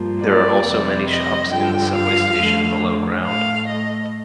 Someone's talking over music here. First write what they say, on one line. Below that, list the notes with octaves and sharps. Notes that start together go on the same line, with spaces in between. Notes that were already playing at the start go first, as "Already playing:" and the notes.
There are also many shops in the subway station below ground.
Already playing: G2 F3 A#3
D5
F2 C3 G3
D#5
G2 D3 F3 G5
F5
F2 D3 A3
A2 A3 F5
D#5